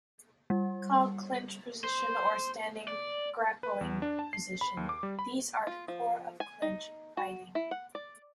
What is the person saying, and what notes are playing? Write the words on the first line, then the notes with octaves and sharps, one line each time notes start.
Called clinch position or standing grappling position, these are the core of clinch fighting.
G3
C5
D5
B4
E2
D4
A5
C7
B5
D#2
D6
G3
B5
F4
F3
G#5
D#4
F#4
E4
F#5
D5